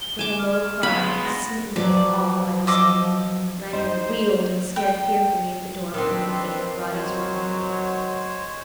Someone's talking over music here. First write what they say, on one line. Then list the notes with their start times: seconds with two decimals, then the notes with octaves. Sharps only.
With a low cry, smitten with awful understanding, Lanyard wheeled and stared fearfully at the door communicating with Roddy's room.
0.01 G7
0.19 G#5 D6 E7
0.39 F6
0.83 G#3 B3 F5 B5
1.06 C6
1.25 A#6
1.76 F3 F#3 B4 C5 D5
2.67 D#5 D6 E6
3.73 D#4 C5
4.76 G5
5.94 D#3 C4 D4 A4 B4
6.92 F#3 G#3 C5 C#5